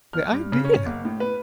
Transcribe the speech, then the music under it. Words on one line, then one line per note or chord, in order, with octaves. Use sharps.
The idea!
F6
G2
C#3
C#4
F#1
A2
B4